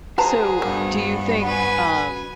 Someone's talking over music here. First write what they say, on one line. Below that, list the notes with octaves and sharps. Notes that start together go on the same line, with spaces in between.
So, do you think, um,
F#4 G#4 B4 C5 A5 A#5
G2 A#3 B3
B4 G#5